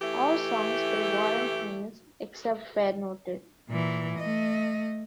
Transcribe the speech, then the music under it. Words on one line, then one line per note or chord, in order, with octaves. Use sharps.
All songs by Warren Haynes, except where noted.
E3 A3 E4 G4
A#2 E3
A3 D#5